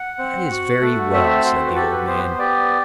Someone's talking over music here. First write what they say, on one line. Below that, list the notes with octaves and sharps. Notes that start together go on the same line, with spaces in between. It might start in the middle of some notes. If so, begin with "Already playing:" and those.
"That is very well," said the old man.
Already playing: F#5
C4
F#4
A3
C4 E5
F#4 C5
B4
G4 A4
B4
B3 C5
B4
C5
G4 D5